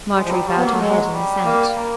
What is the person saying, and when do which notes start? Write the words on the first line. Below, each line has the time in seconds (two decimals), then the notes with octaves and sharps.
Marjorie bowed her head in assent.
0.14 G3 G#3
0.24 F3
0.30 F#3 G3
0.47 F#3 G3
0.57 B3
0.65 A#3
0.72 A3
0.79 G#3
1.12 G3
1.44 A#3
1.77 A#3